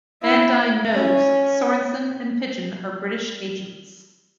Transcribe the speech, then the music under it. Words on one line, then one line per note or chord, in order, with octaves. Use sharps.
Van Dyne knows Sorensen and Pidgeon are British agents.
E4
C#4